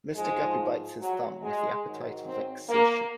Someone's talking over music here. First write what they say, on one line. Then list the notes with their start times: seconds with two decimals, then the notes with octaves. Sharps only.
Mr. Guppy bites his thumb with the appetite of vexation.
0.15 G#2 F3 G#3
1.00 F#3
1.42 G#3
1.84 G#2 D#3 F#3
2.26 C4
2.69 A#3